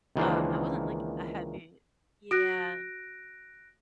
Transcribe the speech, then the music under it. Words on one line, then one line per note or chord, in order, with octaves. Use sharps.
um, I wasn't, like, a heavy yeah.
C#2 D#3 E3 A#3 D4 C5
F#4 F#6 A#6 D7